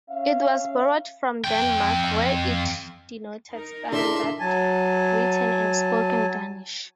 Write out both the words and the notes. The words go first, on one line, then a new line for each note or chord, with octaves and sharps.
It was borrowed from Denmark where it denoted standard written and spoken Danish.
C#4 E5 F5
F2 G5
D#4 A#4
D4 E4 G#4 A4 D5 E5 C6
F#3 G#5 A5